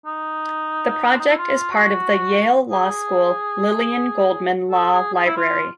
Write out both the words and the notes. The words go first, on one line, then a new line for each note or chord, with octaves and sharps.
The project is part of the Yale Law School Lillian Goldman Law Library.
D#4
D4
D#4
E4
F4
F#4
G#4
A4
G#4
G#4
E4
F4